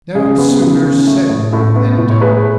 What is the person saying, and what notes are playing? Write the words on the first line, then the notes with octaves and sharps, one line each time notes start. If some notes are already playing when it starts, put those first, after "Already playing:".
No sooner said than done.
C#3 G#4
B3
C#3
C#4
A3
A2
A2 A4
B3
A2
C#5
A3 G#4 B4